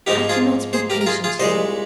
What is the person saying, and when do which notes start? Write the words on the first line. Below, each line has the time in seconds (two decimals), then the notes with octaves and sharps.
I cannot be patient here.
0.07 G#2 F3 A#3 D#4 G4
0.29 F4 G#4
0.73 G#4 C5
0.90 G4 A#4
1.01 A#4
1.06 F4 G#4
1.24 F4 G#4
1.39 C2 A#2 G#3 C5 D#5